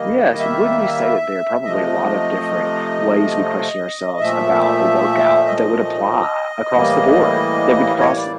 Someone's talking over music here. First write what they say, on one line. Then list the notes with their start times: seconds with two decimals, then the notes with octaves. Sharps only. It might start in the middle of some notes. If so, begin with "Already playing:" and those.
Yes. Wouldn't you say that there are probably a lot of different ways we question ourselves about a workout that would apply across the board, that would cross
Already playing: D#3 G3 A#3 D#5
0.39 E5
1.65 C3 F3 A3 D#5
4.20 A#2 F3 A3 E5
5.46 D#5
6.73 A2 E3 G3 A#3
8.00 C#5
8.16 D5